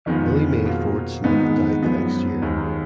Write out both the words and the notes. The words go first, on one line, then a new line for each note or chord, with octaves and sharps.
Willie Mae Ford Smith died the next year.
F2 D#3 G#3 B3 F4
B2 A#3 F4
G#2 D#3 G#3 B3 D#4
F#2 F3 B3
D#2 D#3 G#3